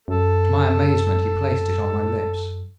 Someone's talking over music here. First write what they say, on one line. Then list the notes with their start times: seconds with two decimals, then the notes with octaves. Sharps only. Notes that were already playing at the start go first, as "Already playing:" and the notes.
To my amazement he placed it on my lips.
0.08 F#2 A4